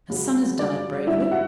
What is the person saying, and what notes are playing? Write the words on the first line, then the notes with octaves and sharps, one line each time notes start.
Her son has died bravely.
C#2 C#3 F#3
G2 D3 F#3 D5
G2 D3 F#3 E4 E5
F#4 F#5